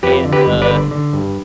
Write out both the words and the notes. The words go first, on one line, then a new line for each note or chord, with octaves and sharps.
and, uh,
F2 G4 B4
D3
G4 B4
G1
B4 D5
D3
D3
G2